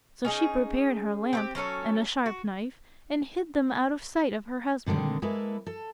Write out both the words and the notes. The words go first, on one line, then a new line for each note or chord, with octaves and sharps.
So she prepared her lamp and a sharp knife, and hid them out of sight of her husband.
C#4 D#4 G#4
C4 F4 G4
F#3 C#4 A4 C#5
F#4
A#2 D3 D#3 G#3 C4
G#3 A#3 E4 A4 B4
A4